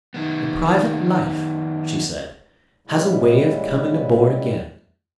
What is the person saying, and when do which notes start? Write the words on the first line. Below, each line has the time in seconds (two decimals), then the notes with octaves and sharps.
"The private life," she said, "has a way of coming aboard again."
0.14 D#3 B3
2.87 A#2 C#3 G3 G#3 E4